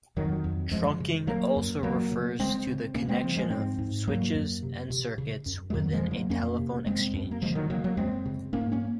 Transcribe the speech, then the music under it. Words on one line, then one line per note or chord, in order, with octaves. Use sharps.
Trunking also refers to the connection of switches and circuits within a telephone exchange.
F2 D#3 F#3
F2
F#2 F3 G#3
C#3
C#3 F#3 A#3
F#2
C#3 F#3 A#3
C#3
C#3 G#3 C4
C#3
C#3 A#3 C#4
G#3 C4
C#3 F3
F3 G#3
G#2 G#3 C4
G#2
C#3 F#3 A#3
F#2
C3
C3
C#3
F#2
G#3
F2 D#3 F#3
F3 G#3
C#3
F#3 A#3
F2 A#3 C#4
C3
F#2 G#3 C4
F#2
A#3
C#3 F3 G#3
D#3 F#3
C#3 F#3 A#3
F#3 A#3
F#2 G#3 C4
C#3
G#2 A#3 C#4
A#3 C#4